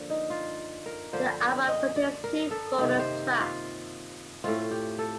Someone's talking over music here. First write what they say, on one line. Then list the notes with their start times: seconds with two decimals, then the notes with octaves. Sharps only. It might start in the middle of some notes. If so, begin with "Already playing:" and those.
The album contains two bonus tracks.
Already playing: D3 F3 A#3
0.10 D#4
0.30 F4
0.86 A#4
1.13 D3 F3 A#3 C5
1.41 G5
1.68 D#5
1.96 D5
2.24 A#4
2.51 A4
2.78 C3 D#3 A#3 G4
2.99 C5
3.40 F4
4.44 A2 A3 C4 F4
4.71 G4
4.99 A4